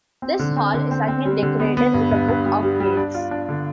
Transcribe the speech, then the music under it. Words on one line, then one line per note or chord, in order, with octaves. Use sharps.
This hall is again decorated with the Book of Gates.
C4
D3
C4
D3
C4
C4
G3
D3
B3
B3
G2
G2
G2
G3
G3
G3
D4
F4
D4
D3